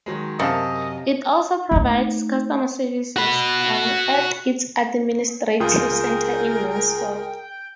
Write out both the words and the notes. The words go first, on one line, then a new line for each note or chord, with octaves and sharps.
It also provides customer services at its administrative centre in Mansfield.
D#3 F#3 G#3
F#2 C3 A#4 D#5 F5 A5
A3 D#4
F#4 B5
C#2 F4 G#4 A#4 G5 D#6